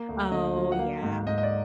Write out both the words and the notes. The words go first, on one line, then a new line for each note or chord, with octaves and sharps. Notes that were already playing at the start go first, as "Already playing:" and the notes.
Oh, yeah.
Already playing: A#3
D2
D3 D#5
F#3
F#5
A#3 F5
G#2
G#2 D#5
D#5
D5